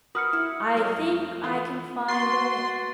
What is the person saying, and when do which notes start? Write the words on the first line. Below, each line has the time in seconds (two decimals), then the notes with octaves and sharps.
"I think I can find a way."
0.15 F#4 A#4 B4 D#6 F6 C#7
0.33 E4
0.77 F#3 G#3 A#3
0.96 F2
1.44 E3 A3 F4
2.08 F#4 C6 C#6 A6